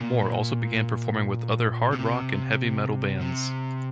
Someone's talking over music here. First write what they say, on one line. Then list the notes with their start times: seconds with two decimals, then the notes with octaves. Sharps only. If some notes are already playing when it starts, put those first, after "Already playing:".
Moore also began performing with other hard rock and heavy metal bands.
0.01 A#2
1.93 C3
3.21 C3